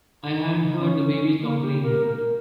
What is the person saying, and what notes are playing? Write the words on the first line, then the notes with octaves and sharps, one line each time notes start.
I haven't heard the baby complain yet.
D#4
C#4
A#3
G4
A#4
A#4